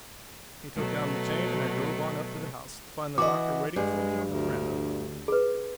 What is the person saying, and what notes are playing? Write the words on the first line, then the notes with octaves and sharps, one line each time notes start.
He took down the chain and I drove on up to the house, to find the Doctor waiting for me on the veranda.
B2 F#3 A3
E3 F#4 D#5 D6
G2 G#3
D2
G#4 B4